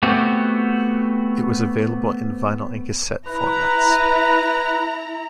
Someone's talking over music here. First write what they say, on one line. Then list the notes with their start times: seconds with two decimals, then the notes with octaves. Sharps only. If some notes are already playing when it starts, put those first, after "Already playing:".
It was available in vinyl and cassette formats.
0.03 A3 B3 C4 F#4 G4
3.28 E4 B4 A#5